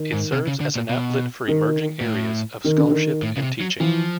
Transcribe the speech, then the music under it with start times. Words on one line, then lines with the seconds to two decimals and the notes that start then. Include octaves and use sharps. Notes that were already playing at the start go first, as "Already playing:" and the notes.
It serves as an outlet for emerging areas of scholarship and teaching.
Already playing: D#3
0.13 G#2
0.32 C3
0.47 C#3
0.60 D3
0.75 A#2
0.89 B2
1.48 D#3
2.01 A#2
2.06 A2
2.65 D#3
2.78 D3
2.91 D#3
3.23 A2
3.37 C#3
3.42 C3
3.61 F#3
3.80 E3 F3